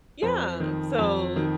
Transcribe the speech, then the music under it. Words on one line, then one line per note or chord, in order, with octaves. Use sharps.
Yeah. So
F2 C5
D#3
F2
D#3